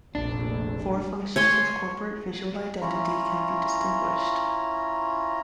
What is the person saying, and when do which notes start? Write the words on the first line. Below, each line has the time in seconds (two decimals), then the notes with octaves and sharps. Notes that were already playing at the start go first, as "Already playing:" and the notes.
Four functions of corporate visual identity can be distinguished.
0.15 F1 A#1 D4
1.36 C#5 G#5 C6
2.81 C#4 E4 F4 A#5